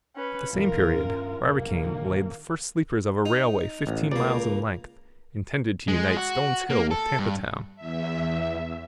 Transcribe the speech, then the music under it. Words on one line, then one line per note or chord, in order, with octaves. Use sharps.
At the same period Barbicane laid the first sleepers of a railway fifteen miles in length, intended to unite Stones Hill with Tampa Town.
C#4 B4
A1 F2 D#3 F4 A#4
G2 C#4
F1 B1 A#3
A#1 D3 D#3
D#4
A1
C#2 A#3 D5
G#3
F#4
A#3
A4
G2
E2 E5